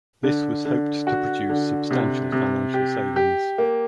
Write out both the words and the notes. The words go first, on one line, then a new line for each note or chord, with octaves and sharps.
This was hoped to produce substantial financial savings.
D3
D3
F#4
D3
C3
C3
G4
G4
A#3